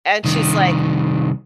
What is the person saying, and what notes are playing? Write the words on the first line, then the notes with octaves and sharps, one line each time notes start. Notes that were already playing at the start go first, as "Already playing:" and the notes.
And she's like
C2 D#3